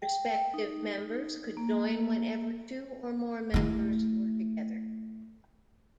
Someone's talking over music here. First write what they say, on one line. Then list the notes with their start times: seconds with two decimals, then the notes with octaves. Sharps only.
Prospective members could join whenever two or more members were together.
0.02 G5
0.54 D#4
1.57 A#3
3.54 A3 E4